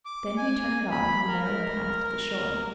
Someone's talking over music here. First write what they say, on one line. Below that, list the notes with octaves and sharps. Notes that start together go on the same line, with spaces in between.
Then he turned off in a narrow path to the shore.
D6
G#5
B5
A#4